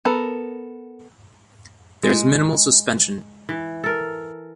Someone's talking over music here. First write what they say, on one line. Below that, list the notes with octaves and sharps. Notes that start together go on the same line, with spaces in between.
There is a minimal suspension.
B3 A4 A#4
G#3
E3
A4 A#4